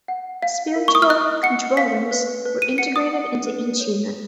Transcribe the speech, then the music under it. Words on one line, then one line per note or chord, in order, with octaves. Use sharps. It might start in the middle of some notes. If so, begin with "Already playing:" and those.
Spiritual "controllers" were integrated into each unit.
F#5
F5
A#4
C#6
D#6
F6
D#5 F#6
F#5 C#7
F5 B6
B4
B4
D#7
F#5 C#7
D#6
F#5
B4
C#5